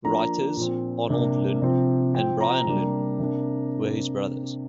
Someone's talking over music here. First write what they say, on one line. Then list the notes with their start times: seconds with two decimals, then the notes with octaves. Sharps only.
Writers Arnold Lunn and Brian Lunn were his brothers.
0.05 F3 A#3 D4 A#5
0.57 A#2 F3 C4
1.10 C3 A#3 D4
1.62 C3 F3 C4
2.14 F3 C4 G5
2.41 A#5
2.67 C3 G3 A#3 D4
3.20 C3 A#3 D4